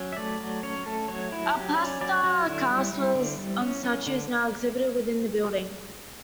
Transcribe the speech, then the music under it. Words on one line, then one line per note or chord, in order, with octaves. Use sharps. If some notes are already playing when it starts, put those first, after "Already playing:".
A plaster cast of the statue is now exhibited within the building.
Already playing: F#3 C#4
E5
A3 D5
F#3
C#4 C#5
A3 A4
F#3 C#5
F#3 E4
F#3 G4
C#4 D5
F#3 D5
F#3 F#4
D3 E4
G3
G3
D3
G3
C#4
C#4
D3